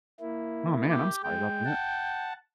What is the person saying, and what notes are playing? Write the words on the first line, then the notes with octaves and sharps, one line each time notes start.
Aw, man, I'm sorry 'bout that.
A#3 E4
G4
G#3 G5
F#5 A5